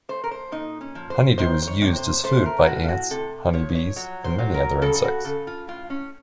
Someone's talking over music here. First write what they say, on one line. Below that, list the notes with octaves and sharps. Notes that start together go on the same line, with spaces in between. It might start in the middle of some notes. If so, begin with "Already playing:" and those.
Honeydew is used as food by ants, honeybees, and many other insects.
A3 C5
A#4
C5
A#2 D#4
C#4
F3
C5
D#3 C5
C5
C#5
C3
C5
A3 C5
A#4
A2 F#4
F4
F#4
C3 A4
F3 C#5
C#5
F#3 C#5
C5
F#3
A#4
C#3 A4
A4
F#4
C#3 A4
F4
A2 F4
C#4